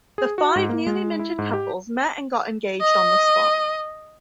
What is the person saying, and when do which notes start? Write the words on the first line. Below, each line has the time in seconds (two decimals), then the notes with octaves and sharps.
The five newly minted couples met and got engaged on the spot.
0.18 G#4
0.38 F#4
0.56 G#2
0.69 A#3
0.87 G#3
1.19 E4
1.39 G#2
1.53 G4
2.82 D#5